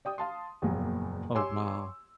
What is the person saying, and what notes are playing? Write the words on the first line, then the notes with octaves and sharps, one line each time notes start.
Oh wow.
D5 G5 D#6
F5 A5 C6
F#1 E2 A#2 F3 F#3
G4 C#5 G#5 C6 D6 E6